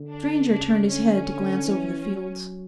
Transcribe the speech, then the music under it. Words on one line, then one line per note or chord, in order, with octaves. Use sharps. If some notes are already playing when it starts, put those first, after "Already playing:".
The stranger turned his head to glance over the fields.
Already playing: D3
D4
C#3 D4
D3 C#4
E3
F#3